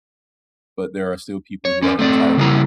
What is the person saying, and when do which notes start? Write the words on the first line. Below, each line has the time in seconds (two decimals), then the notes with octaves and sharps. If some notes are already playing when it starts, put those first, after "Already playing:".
but there are still people who are entitled,
1.65 C#5
1.82 C#4 A#4
1.99 A3 C4 D5
2.37 C#3 G3 A#3 E4 A#5